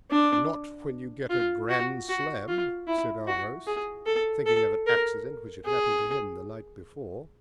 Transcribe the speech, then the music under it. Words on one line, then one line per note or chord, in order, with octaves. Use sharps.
"Not when you get a grand slam," said our host, thinking of an accident which had happened to him the night before.
D4
F4
F#4
F#4
F4
E4
F#4
G#4
A4
A4
A#4
G#4